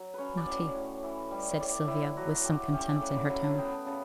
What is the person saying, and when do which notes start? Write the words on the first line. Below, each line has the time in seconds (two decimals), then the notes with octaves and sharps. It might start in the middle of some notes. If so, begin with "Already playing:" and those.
'Not he,' said Sylvia, with some contempt in her tone.
Already playing: F#3
0.14 C#4 B4 C#5
0.37 D5
0.46 A2 C#5
0.75 A2
1.03 E3
1.31 G3
1.50 C#5
1.60 A2 D5
1.87 A2 E4
2.17 F#3 F#4
2.35 F#4
2.44 A3 G4
2.73 C#4 G4
2.87 D5
2.96 E5
3.01 C#3 F#5
3.16 B5
3.29 F#3 B5
3.44 A5
3.57 B3 G5
3.72 A5
3.86 C#3 A5